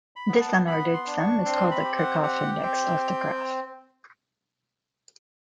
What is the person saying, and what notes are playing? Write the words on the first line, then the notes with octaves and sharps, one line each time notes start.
This unordered sum is called the Kirchhoff index of the graph.
B5
B3
A5
B3 B5
C6
D4
C#6
C4 C6
B5
G4
F#5
G4 F#5
C4 G5